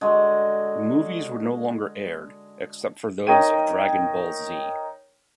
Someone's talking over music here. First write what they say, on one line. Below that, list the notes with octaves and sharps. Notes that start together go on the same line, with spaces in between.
The movies were no longer aired, except for those of "Dragon Ball Z".
D3 G#3 F#4
D#4 A#4 C#5 G5 D#7